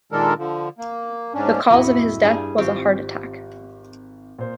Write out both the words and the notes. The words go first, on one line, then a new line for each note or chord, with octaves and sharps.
The cause of his death was a heart attack.
A#2 D#3 G#3 D4 A4 A#4
D3 F3
A#3
G#2 C#4 D4
D1 F2 E4 F#4 D#5
G2 G3 G#4
G#1 C4 F4 G4 C#6
A#2 C5